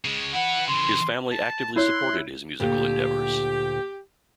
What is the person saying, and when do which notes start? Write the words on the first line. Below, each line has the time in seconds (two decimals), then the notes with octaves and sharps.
His family actively supported his musical endeavors.
0.05 C#3 G#3
0.34 E4 B4 F#5
0.68 C#3 E3 C6
1.31 A5
1.76 E4 C#5 A#5 C6 F#6
2.60 D2 A#2 G4